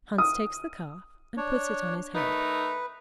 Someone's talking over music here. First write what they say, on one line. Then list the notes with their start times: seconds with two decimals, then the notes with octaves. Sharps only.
Hans takes the calf, and puts it on his head.
0.18 D#6
1.37 D4 C#5
2.15 D#3 A3 D#4 B4